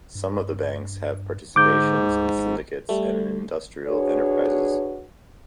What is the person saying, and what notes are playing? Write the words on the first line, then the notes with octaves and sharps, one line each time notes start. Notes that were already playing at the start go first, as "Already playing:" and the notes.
Some of the banks have participations in syndicates and in industrial enterprises.
G2
G#2 D3 D6 G6
D2
G#1
G3 A3
D4 F#4 G#4 B4 C#5